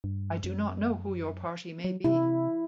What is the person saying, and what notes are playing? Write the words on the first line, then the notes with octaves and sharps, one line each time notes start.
I do not know who your party may be.
G2
F#2
F#3
C3 E4